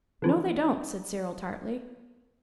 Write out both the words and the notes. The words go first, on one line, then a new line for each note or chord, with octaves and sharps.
No, they don't,' said Cyril tartly.
D3 E3 F3